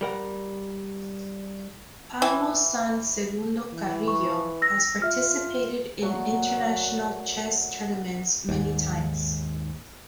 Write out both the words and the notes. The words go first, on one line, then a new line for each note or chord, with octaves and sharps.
Pablo San Segundo Carrillo has participated in international chess tournaments many times.
G3 A#4 F#5
E3
E3
C#6
E6 A#6
F4 E5 F6
A#2 F#3 A3 F#4
D#2 G#2